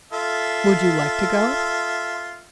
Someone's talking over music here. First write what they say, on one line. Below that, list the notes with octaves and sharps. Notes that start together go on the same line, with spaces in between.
"Would you like to go?"
F4 A4 E5